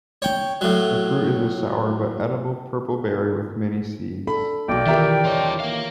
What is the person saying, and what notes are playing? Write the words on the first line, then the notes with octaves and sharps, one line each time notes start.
The fruit is a sour but edible purple berry with many seeds.
C#5 G5
A2 F#3
D4 A4 B5
B1 B2 D5 G5
D#3 E3 F4 G4 A#4 E5
B2 D#3 F4 C#5 D#5
A#4 F5